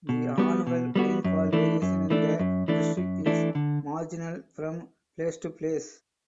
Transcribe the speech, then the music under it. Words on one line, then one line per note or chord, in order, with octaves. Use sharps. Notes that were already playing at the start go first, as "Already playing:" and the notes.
The annual rainfall variation in the district is marginal from place to place.
B2
G3 B3 F#4
B2
G3 B3 F#4
F#2
E3 A3 D4
F#2
E3 A3 D4
F#2
E3 A3 D4
F#2
E3 A3 D4
D3